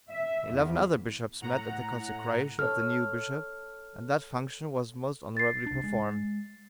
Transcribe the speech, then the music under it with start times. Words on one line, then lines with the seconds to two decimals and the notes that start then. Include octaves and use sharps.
Eleven other bishops met at the consecration of the new bishop, and that function was most honourably performed.
0.12 E5
0.52 E2
1.41 A2 F#5 A#5
2.59 A4 C#5 F6
5.37 A6 C7
5.66 C2 D4
5.84 G#3